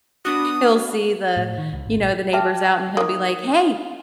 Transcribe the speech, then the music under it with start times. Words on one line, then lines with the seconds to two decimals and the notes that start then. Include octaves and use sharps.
he'll see the you know, the neighbors out, and he'll be like, "Hey,
0.25 B3 D4 F#4 D#6
1.37 A2
1.58 D#3
1.73 C#2
1.86 G#1
2.00 A#1
2.33 B4 E5 G5 A5 D6 F6
2.97 D#3 A#3 D#6